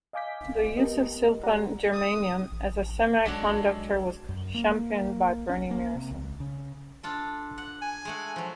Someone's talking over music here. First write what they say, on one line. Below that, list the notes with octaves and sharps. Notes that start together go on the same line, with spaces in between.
The use of silicon-germanium as a semiconductor was championed by Bernie Meyerson.
D#5 F5 G#5 D6 G6 B6
B3 G4 A#4 D#5
G4 D5 F#5 A#5
D#6
A1
B1 G#3 D4 F#4 A4 C#5
F#2
A#3
C#4
A#3
C3
C#2
C#3
D4 F4 A4
F#5
G#5
G#3 A3 F#5
F3 F#3